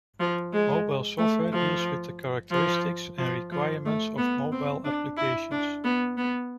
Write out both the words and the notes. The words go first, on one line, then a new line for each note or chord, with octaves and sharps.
Mobile software deals with the characteristics and requirements of mobile applications.
F3
G#3
A3
F3
F3
F3
F3
A3
B3
C4
D4
E4
D4
B3
B3